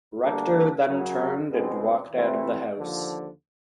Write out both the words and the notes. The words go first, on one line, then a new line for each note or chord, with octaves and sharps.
Rector then turned and walked out of the house.
D2 D3 G3 A#3 D4
F#2 C#3 F#3
C#2 B2 G#3 C4
C3 E3 A3 C4 E4
D#2 D3 F3